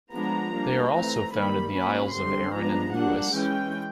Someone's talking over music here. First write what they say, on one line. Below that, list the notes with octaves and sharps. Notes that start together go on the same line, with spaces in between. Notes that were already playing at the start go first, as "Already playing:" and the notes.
They are also found in the Isles of Arran and Lewis.
F3 G#3 B3 D4 A#5
G3 A#3 D4
E3 A3 C4 A#5
D#3 G3 A#3 B5
F#3 A#3 C#4 B5
D3 G3 C4 C6
F3 G#3 B3 D4 A#5
G3 A#3 D4 F#5
E3 G#3 C#4 G5